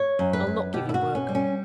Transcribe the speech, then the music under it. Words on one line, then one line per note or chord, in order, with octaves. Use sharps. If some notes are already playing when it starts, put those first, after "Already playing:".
I'll not give you work.
Already playing: C#5
F#2
B4
F#2
B2 G4
E4
F#4
B2
C#4
G3
C#4